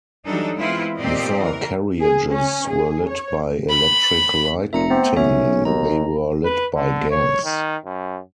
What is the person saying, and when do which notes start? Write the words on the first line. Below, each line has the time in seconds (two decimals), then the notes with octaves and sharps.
Before carriages were lit by electric lighting they were lit by gas.
0.25 E3 F#3 G3 D4 D#4 A4
0.56 E3 G#3 B3 C4 E4 F4
0.98 A#2 C4 G4 D5 D#5
1.41 E3 A#4
2.01 G#4
2.30 C#4
2.69 G#4
3.08 C#5
3.70 B5
4.73 F1 A#2 E5 A#5 C#7
4.90 A3 B3 C4
5.16 B1 C#4 E5
5.65 D#2 A#5
6.45 B4
6.75 D3
7.11 C#5
7.45 D#3
7.85 F#2